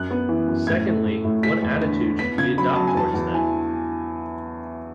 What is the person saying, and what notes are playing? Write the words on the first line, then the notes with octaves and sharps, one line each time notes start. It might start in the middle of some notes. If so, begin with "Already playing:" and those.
Secondly, what attitude should we adopt towards them?
Already playing: F#2 F#6
B3
E3
F#2
A2 G#6
A3
A2
A2
G#3 B6
E2
D3
D3
B3 B6
C#3 G#6
F#3 B5
F#3 A5
G#5
E2 A5
E2
E3 G#5